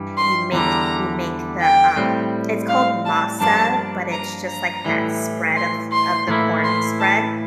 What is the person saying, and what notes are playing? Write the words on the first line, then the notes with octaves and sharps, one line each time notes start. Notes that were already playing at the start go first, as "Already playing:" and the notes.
you make you make the, um it's called masa, but it's just, like, that spread of of the corn spread
Already playing: G2 E3 G3
C6
E2 D3 G3 A#5
G5
A2 G3 C4
F5
A5
G2 F3 A#3 D4 A5
A#5
A#5
A2 E3 G3
C6
C6
A2 E3 A#3 E4
C6
A5